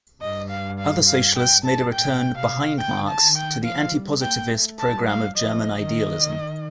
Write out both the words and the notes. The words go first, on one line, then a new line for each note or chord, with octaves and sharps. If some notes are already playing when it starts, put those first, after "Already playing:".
Other socialists made a return 'behind Marx' to the anti-positivist programme of German idealism.
G2 D#5
F5
F5
F5
G5
A5
A#2 G5
C3 F5
D3 G5
A5
D#3
G5
F3 F5
G3
A#3 G5
A3
A5
G3
F5
F3 D#5
D#3 D#5
D#3